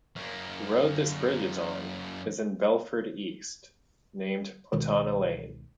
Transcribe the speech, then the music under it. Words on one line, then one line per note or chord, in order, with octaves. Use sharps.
The road this bridge is on, is in Belford East, named Pothana Lane.
F#2 A#3
C#2 B2 D#3 G#3